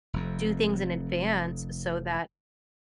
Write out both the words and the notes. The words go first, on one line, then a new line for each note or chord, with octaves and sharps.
do things in advance so that
F1 F2